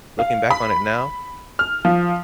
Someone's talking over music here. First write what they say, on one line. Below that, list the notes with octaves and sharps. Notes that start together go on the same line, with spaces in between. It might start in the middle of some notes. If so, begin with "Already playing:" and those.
looking back on it now
F5
B5
F6
F3